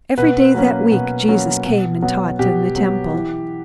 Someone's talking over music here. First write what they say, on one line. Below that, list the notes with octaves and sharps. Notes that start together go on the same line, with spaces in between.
Every day that week, Jesus came and taught in the Temple.
B2 B4
F#3 A#3 C#4
B2
F#3 A#3 C#4
B2
F#3 B3
B2 G4
F#3 B3
E3